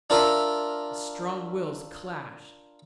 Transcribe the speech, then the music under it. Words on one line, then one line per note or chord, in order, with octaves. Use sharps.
The strong wills clashed.
D4 F4 A#4 E5